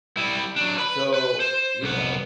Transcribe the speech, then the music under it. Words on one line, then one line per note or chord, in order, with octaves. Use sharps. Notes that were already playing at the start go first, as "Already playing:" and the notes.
So, you know
G3 E4
F#3 D4
B4 B5
B4
C5
C2 B3